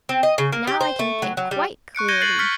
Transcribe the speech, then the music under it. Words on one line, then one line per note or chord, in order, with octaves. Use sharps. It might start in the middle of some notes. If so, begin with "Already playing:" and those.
"Now I can think quite clearly."
C4
D#5
C#3
A#3
G4
C5
A3
F#3
F#3
G3
C#6 F#6 C#7 D7
G6 G#6 A#6 C#7 D#7 G7
F#6 G6 A6 C7 F#7
F6 A6 B6 C#7